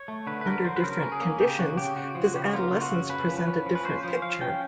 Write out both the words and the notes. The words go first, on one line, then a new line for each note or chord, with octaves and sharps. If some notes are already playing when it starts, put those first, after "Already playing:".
Under different conditions does adolescence present a different picture?
Already playing: C#5
A3
D3 B4
B4
D3 A#4
F#3 C5
B4
C#3 A#4
C#4
G#4
A#3
C#3 G4
C#3 F#4
C#3 G4
C#3 F#4
F3
F#4
C#3 G4
F#4
A#3 F4
C#3
F#4
C#3
C#4 B4
F3
B4
C#4
F3
B4
C#4 C5
F3 C5
F3 F5
C#4 G5